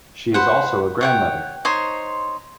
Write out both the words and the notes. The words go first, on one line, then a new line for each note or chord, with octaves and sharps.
She is also a grandmother.
B4 C5 F#5
C#5 F#5 G5
D#4 C5 C#5 C6